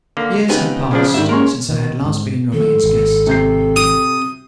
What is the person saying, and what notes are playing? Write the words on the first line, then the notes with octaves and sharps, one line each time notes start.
Years had passed since I had last been Romayne's guest.
D3 A#3
C#2 B3 C4 D#4 G4 G#5
B1 C#3 F3 D4 G#4
G#2 D#3 G3 D4 E5
G#3 A#3 C#4 A#4 C6 C#6
D#3
G#2 C3
D#3 F#3 A4
G#1
C3 G6 C7
D#6